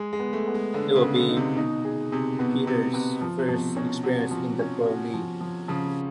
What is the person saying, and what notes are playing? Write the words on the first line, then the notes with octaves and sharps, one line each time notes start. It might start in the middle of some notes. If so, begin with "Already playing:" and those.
It will be Peeters' first experience in the Pro League.
Already playing: G#3 G#4
G#3
B3
A3
B3
G#3
D3 B3
C#3
B3
D3
D#4
C3
B2 D#4
G#4
C3 G#4
B2 B3
C3 B3
C3 B3
F3
C3
B2 F3
B2 C#4
C3 F#4
F3
C#4
F#4
F3
F3
C#3 F3